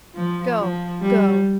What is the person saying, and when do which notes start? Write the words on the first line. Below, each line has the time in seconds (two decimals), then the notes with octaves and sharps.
Go! go!
0.15 F3
0.58 F3
1.02 G3